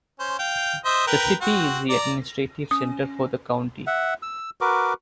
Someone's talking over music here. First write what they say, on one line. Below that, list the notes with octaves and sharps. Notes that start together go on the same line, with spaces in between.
The city is the administrative center for the county.
C#4 C5
F5 G5
C5 D#5 E5
A#4 B4 G5
C4 F#4 F#5
D5 A#5
C#4 D#6
E5 F#5
E6
F#4 A#4 B4 D6